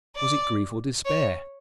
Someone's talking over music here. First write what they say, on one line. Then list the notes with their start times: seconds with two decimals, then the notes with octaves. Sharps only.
Was it grief or despair?
0.16 D5
1.05 C#5